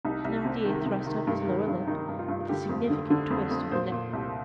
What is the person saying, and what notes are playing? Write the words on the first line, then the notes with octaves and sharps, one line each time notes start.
Thenardier thrust out his lower lip with a significant twist of the neck.
C2 D#4
C2
C3
D#3
C3
D#3
G2
D#3
G2
D#3 D#4
G2
F4
G2
D3 G4
F2
D3
D3
F2
F2
A#2 C5
A#2
C2